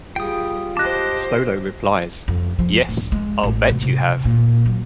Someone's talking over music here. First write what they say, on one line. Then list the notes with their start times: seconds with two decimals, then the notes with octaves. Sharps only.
Solo replies, Yes, I'll bet you have.
0.16 G3 F4 G#4 G5 D#6
0.77 G4 C5 D#5 A5 D6 F#6
2.28 F2
2.59 F3
2.89 D1
3.12 G#3
3.44 A1
3.70 B2
3.82 C3
4.25 A#2
4.66 F#3